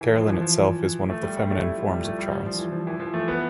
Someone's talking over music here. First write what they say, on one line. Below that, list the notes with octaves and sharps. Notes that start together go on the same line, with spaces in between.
Caroline itself is one of the feminine forms of Charles.
E3
F3
E3
F3
A3
G3
G3
A3
E4
F3
G3
A3
G3
G3
F3
E3
F3
E3
F3
A3
B3